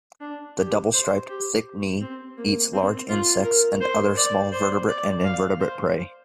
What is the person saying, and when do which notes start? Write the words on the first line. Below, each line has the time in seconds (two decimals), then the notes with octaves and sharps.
The double-striped thick-knee eats large insects and other small vertebrate and invertebrate prey.
0.21 D4
0.58 G4
0.93 C5
1.29 G4
2.01 C4
2.37 A#3
2.73 C4
3.09 F4
3.44 A#4
3.81 C5
4.17 D5
4.52 C5
4.89 D5
5.25 F5
5.60 C5